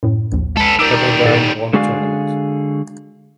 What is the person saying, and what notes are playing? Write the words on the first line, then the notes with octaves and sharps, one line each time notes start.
Pepperdine won the tournament.
F#2 A2
A#1 D#2
G#3 A4 B4
D#3 G3 A#4 D6 E6
A2 A4 A6
D3 G#3 F#4 G#4 D5 F5